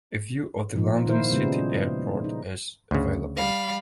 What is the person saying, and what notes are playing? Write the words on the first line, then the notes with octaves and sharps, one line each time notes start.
A view of the London City Airport is available.
A#2 F3 A#3 D#4 F4
A#2 D#3 A#3 E4 A#4 C5
C#3 G3 G#3 B3
D#4
D2 C#3
G3 F5 B5